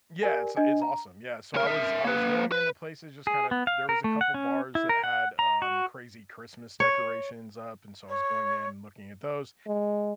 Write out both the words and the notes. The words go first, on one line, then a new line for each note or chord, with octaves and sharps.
Yeah, it's it's awesome, yeah, so, I was I was going into places just kind of t there was a couple bars that had, um, crazy Christmas decorations up, and, so, I was going in and looking at those,
G4 A#4 D5 G#5
D4 D#5 G#5
A#5
D2 A#4
A#4 E5
A#3 B4
B4
G#4
B3
F5
A#4
A3
F#5
C#4
E4
A#4
F#5
A#5
F#4
C#5
C#5
G#3